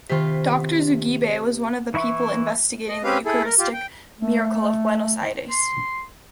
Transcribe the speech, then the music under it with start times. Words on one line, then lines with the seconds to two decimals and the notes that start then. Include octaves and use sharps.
Doctor Zugibe was one of the people investigating the Eucharistic miracle of Buenos Aires.
0.09 C3 D#3 F4 B6
1.94 E3 E4 E5 C#6
2.88 D#5
3.04 C4 C#4 G4 B4 F5
3.26 E4 G#4 A4
3.45 A#4
3.59 F4 G4
3.73 G5
4.18 A3
5.50 C6